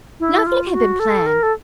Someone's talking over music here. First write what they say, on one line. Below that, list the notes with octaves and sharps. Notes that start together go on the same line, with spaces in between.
Nothing had been planned.
E4
F4
F#4
A4
A#4
A4